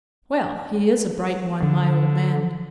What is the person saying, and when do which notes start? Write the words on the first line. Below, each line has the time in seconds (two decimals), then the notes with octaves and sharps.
Well! he is a bright one, my old man!
1.63 D3